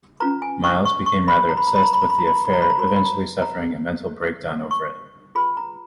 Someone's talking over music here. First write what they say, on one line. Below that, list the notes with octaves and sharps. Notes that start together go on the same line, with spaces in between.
Miles became rather obsessed with the affair, eventually suffering a mental breakdown over it.
C#4 F4 B4 A#5
G#5
C#6
C#6
C#6
B5
A#5
B5
A#5
B5
A#5
B5
A#5
B5
A#5
B5
A#5
B5
A#5
B5
A#5
F#4 A#4 C#5 B5
A#5
B5
A#5
A#5
C#6
F4 G#4 B4 B5
A#5